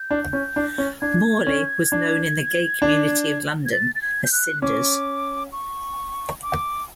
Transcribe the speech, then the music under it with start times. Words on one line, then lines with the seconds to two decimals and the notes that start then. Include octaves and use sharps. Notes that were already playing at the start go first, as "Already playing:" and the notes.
Morley was known in the gay community of London as "Sinders".
Already playing: G6
0.11 D4
0.33 C#4
0.56 D4
0.78 C#4
1.01 D4 G#6
1.47 C#4
1.92 D4
2.82 D4
3.66 G#6
3.72 A6
3.95 A6
4.02 G#6
4.24 G6
4.32 F#6
4.62 C#4 D6
5.52 C#6
6.43 D6